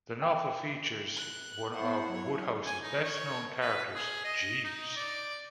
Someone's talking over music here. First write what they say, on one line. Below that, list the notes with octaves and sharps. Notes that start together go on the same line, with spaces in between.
The novel features one of Wodehouse's best-known characters, Jeeves.
G5
F#6
B3 E4 C5 F#5
F#3 C#5
G#5
D#4
C#5
B4
G#4
D#5
D#4
D5